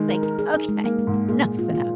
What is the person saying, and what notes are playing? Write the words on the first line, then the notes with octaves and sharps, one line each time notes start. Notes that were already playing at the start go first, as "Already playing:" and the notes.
like, okay, enough's enough.
Already playing: D#3 G#3
A#4
A#4
G#4
D#4
G#3
G#3 A#3
G#3
G#2
G#3
A#2 G#4
A#3
F4
F4